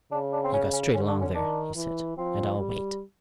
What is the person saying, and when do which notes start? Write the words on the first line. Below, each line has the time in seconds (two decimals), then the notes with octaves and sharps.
"You go straight along there," he said, "and I'll wait."
0.11 C#3 D4
0.32 D4
0.44 C4
0.53 C#4
0.73 C#4
0.94 D3 C#4
1.08 D4
1.21 C#4
1.34 D#3 D4
1.76 E3
2.17 F3 C4
2.58 G3